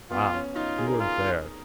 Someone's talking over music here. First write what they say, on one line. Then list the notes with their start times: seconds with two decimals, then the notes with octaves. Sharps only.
Ah, you weren't there.
0.11 B3 F4
0.34 C#4
0.55 D#4 F4
0.78 G#4
0.87 A#4
0.94 G#4
1.00 F4